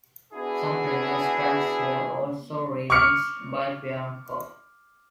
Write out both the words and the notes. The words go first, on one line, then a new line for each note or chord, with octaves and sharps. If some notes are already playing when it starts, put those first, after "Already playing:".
Some previous tracks were also remixed by Bianco.
B3 D4 E4 F#4 G#4
C#6 D6 F6 C#7